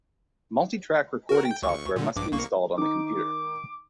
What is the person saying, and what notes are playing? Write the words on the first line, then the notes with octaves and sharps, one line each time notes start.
Multitrack recording software must be installed on the computer.
F#4 A#4
G5
D2 C#6
A#2 D3
A#1 G2 D6
C2 A#3 C#6
D#3 D#4 D6